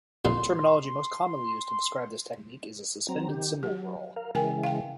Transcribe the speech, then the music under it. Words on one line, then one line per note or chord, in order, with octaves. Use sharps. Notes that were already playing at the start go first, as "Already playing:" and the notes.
The terminology most commonly used to describe this technique is a suspended cymbal roll.
F2 A#2 F4 C6
F#3 C4 A#5
D#3 G4
F#3 G4
A#4 F5
C#3 E3 G#3 A#4 G5 G#5
F5 G5